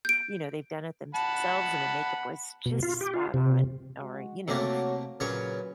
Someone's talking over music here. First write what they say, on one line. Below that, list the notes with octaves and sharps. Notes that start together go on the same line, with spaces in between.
you know, they've done it thems selves, and the makeup was just spot on or you know,
G6 D7
F#5 A5 B5
B2
F4
G4
F4
C3
G#3 F#4
C3 A3 A#3 F#4 C#5
A#2 C#3 F#3 B4 C#5